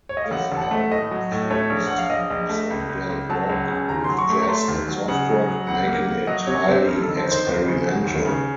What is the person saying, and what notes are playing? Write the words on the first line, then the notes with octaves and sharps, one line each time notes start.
This album fused psychedelic rock with jazz and soft rock, making it highly experimental.
C#5
D#5
F5
A1 F#5
A1
A5
F#5
A3
A2 D#5
F#3
A2
A3 C#5
A#1
A#1 F#5
F5
A#1 D#5
A#1
A3
C#2
C#2
C#2
F#3 A5
C#2
C#3
D#2 A#5
F#3 C6
C#6
A3 C#6
A#5
A3 C6
D#2
F#3
C#3 F#5
F#3
F#3
C#2 F#5
A#3
A#3
F#3 D#5
C3 C#5
C3 C5
F2 A#4
D#3 A4
C5
D#3 C5
D#2
C#3
F#3
D#2
C#3